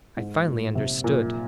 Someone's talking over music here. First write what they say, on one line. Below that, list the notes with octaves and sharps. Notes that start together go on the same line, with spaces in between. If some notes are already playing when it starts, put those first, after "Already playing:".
I finally understood!
G#2
A#2
C3
A#2